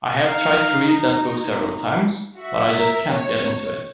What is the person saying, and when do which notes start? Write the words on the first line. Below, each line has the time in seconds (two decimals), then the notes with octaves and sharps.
I have tried to read that book several times, but I just can't get into it.
0.21 D#4 F5
2.38 F#4 E5
2.74 A#4
3.10 C#5